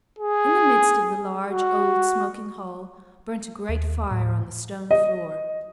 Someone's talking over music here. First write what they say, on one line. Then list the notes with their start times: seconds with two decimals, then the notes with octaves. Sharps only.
In the midst of the large, old, smoking hall burnt a great fire on the stone floor.
0.19 G#4
1.50 F#4
3.69 D#2
4.11 A2
4.91 D#5